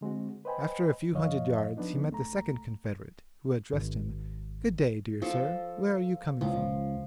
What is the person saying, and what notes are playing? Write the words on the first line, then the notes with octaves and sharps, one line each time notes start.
After a few hundred yards he met the second confederate, who addressed him, 'Good day, dear sir, where are you coming from?'
D3 G#3 C4 F#4
B4 C5 D#5 G5 G#5 B5
F#2 E3 F3 C#5 D#5 F5
F3 B3 D4 D#4
C2 A3 A#5
G#1
F3 A4
C#2 F3